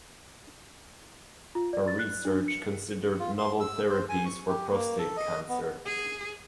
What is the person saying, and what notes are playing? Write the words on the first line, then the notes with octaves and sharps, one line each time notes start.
Her research considered novel therapies for prostate cancer.
F4
D5
A6
F#6
D4
C#7
F4
C6
E6
C5
G#5
C#6
G4
A#3
A4
D#5
B3
G#4